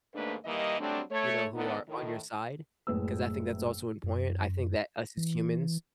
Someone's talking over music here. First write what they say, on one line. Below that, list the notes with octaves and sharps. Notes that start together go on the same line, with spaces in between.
you know, who are on your side, 'cause I think that's also important, I think that us as humans,
D#2 G#2 A3 A#3 D4 B4
D#3 E3 G3 A#3 D#5
F#3 G3 A3 C4 D4
A3 C#5
D3 D#3 B3 D#4
A2 D#3
F#1 A2 G#3 B4 E6
F#2
E3